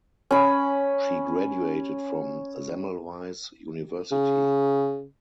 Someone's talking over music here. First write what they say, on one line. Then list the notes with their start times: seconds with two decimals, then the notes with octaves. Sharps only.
She graduated from Semmelweis University.
0.31 C#4 B5
4.11 C#3